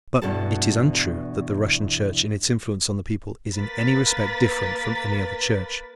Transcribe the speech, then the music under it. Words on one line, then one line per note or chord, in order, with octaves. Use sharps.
But it is untrue that the Russian Church in its influence on the people is in any respect different from any other church.
E2 G2 B2 E3 A4 A5
A#3 A#4 B4 A6 B6